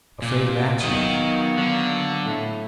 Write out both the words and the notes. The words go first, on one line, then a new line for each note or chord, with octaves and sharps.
Afraid of accidents.
A#2
D#3 F#3 A#3 B3 D#5
D3
A2